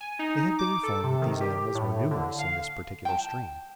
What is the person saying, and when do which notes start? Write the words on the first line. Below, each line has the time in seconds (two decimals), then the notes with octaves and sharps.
They had been informed that these animals were numerous in this particular stream.
0.01 G#5
0.19 D#4
0.59 D6
0.83 A4
1.03 C3
1.22 D#3
1.40 G4
1.75 A2
2.11 D3
2.39 F5
3.05 G5 A5